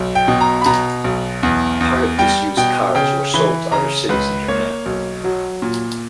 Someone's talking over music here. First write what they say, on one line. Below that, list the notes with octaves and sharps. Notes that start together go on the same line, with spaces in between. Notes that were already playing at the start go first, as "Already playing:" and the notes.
Part of disused cars were sold to other cities in Japan.
Already playing: B1
G5
B2
A#5
B5
B2 A#5
B1
E2
E2
G3 G5
B2 G5
C#3 G5
E3 B5
C#3 A#5
C#2 B4
A#3 C#5
B1
F#3
A#2